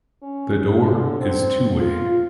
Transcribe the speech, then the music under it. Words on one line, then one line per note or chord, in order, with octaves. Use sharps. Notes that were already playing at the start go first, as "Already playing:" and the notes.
The door is two-way.
C#4
D3
C4
F4